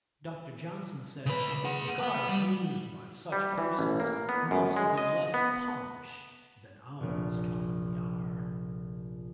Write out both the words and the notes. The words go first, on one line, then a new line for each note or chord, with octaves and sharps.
Dr. Johnson said, 'the cards used by such persons must be less polished than ours commonly are.'
C#3 B4
G#4 F#5
B4 F#5
G3
G3
E3
A1
A#3
B3
F#2
G#3
D#5
B3
F1 A#1